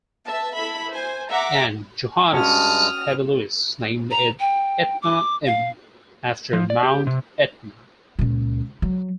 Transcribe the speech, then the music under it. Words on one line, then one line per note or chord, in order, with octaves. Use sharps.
And Johannes Hevelius named it 'Etna M.' after Mount Etna.
B4 E5 A5
E4 A4 E5 B5
C5 G#5
E5 F#5 A#5 D6
G2 G#3 C#4 F#4 C#5 A5 D#6 F6
A#5
G5
D6
F5
F3
D5
G4
C3
C#2 A#2
F#3